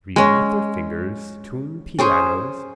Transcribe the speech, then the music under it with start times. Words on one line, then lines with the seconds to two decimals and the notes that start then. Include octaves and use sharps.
Read with their fingers. Tune pianos.
0.16 G#3 C#4
1.99 C#4 G#4 C5